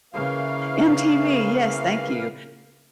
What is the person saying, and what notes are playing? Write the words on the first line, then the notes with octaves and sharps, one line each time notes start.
MTV, yes, thank you.
C#3 E3 A#3 F5